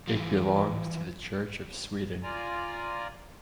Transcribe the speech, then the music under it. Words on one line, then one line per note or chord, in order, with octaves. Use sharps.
It belongs to the Church of Sweden.
E3 F3
F4 D5 G#5 A#5